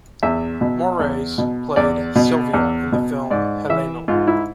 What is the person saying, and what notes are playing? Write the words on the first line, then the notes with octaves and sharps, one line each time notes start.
Moraes played Silvia in the film "Heleno".
E2 E5
B2
E2
B2
E2 D5
B2
E2
B2
G#2 D5
E3 E5
G#2 F4
E4